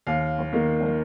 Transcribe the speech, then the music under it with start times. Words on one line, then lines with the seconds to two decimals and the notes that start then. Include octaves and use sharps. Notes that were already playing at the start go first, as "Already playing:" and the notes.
Don't think so.
0.07 D#2 F5
0.53 D#3 A#3